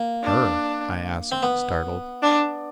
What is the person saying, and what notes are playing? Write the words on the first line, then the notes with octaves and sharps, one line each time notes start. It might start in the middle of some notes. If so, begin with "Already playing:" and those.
"Her?" I asked, startled.
Already playing: A#3
D4
C4
B3
D4